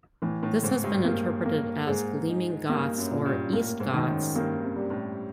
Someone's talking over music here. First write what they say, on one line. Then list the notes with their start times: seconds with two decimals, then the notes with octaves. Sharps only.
This has been interpreted as "gleaming Goths" or "east Goths".
0.22 A2 E3
0.43 A2
0.63 G#2 C#3
0.84 G2
1.04 G2 A#3
1.46 A#3
1.87 G#2 G#4
2.29 D#4
2.69 G2 A#3
2.98 F#2
3.11 A#2
3.25 G2
3.53 A2 A#3
3.80 G#2
3.94 D#3
4.08 F#2
4.35 G2 A#3
4.63 C3
4.76 G3
4.90 A2